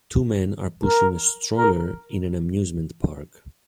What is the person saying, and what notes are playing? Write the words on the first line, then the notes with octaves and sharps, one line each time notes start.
Two men are pushing a stroller in an amusement park.
A#4
A#4